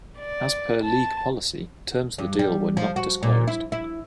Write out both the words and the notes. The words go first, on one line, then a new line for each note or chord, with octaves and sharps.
As per league policy, terms of the deal were not disclosed.
D5
A5
G2
G3
F3
F#4
A#2
E4
E4